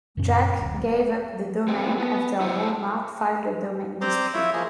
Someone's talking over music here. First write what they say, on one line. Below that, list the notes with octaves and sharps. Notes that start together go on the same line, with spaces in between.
Jacques gave up the domain after Walmart filed a domain dispute.
F#2 A#2 C#3 C#4
D1
G3 G#3 B3 C4
B3
E4 C5 F#5
C4 C5 D5 A#5 C6 D6
E4 F4 C#5 E5
F3 A#3 G#4 D#5